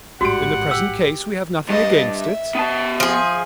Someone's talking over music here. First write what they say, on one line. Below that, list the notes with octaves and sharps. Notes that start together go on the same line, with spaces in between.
"In the present case we have nothing against it."
A1 G#2 G3 F#4 F#5 C6 D7
G4 E6
G2 D#5 A5
E5
B3 A5
F3 G#4